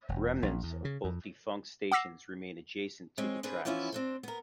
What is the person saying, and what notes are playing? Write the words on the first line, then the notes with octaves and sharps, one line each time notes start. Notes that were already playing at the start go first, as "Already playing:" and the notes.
Remnants of both defunct stations remain adjacent to the tracks.
E1
A#1
E2
C#3
F2
F#5 D6 E6 A#6 C7
G#3 C4 G#4 C#5
C4 D4 G#4 B4
E3 F3 B3 C#4 E4 F4
C4 D4 C5
B3 A#4